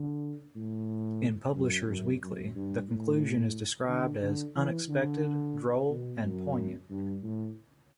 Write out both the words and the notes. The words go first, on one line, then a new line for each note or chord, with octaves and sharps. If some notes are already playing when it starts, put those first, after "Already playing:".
In "Publishers Weekly", the conclusion is described as "unexpected, droll, and poignant".
Already playing: D3
A2
F#2
F#2
F#2
G2
A2
D3
D3
E3
D3
B2
F#2
G2
A2